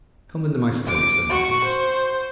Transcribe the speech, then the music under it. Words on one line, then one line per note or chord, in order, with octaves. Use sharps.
"Come into my study," said Nicholas.
D6
F#4 C#6
C5